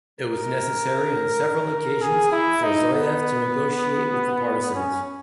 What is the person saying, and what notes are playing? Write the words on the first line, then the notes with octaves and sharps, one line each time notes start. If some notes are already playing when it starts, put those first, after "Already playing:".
It was necessary on several occasions for Zuyev to negotiate with the partisans.
A#4
G#4
E4
D#4
B3
C#4